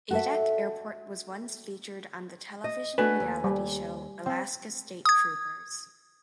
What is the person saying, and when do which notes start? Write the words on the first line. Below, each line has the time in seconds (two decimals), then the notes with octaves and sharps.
Adak Airport was once featured on the television reality show, Alaska State Troopers.
0.11 F#4 A4 E5
2.64 D#5
2.98 A3 D4 F#4 B4 G#5
3.20 D#2
3.44 G3
4.26 C4
5.05 D#6 G#6